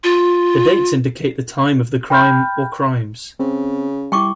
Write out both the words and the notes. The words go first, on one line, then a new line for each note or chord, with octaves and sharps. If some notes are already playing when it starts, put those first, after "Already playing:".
The dates indicate the time of the crime or crimes.
F4
G5 B5 F6 G6
C#3 C4
G3 E4 G5 C#6 D6